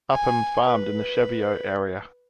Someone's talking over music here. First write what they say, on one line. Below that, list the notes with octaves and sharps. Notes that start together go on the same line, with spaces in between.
Upham farmed in the Cheviot area.
G#5
B4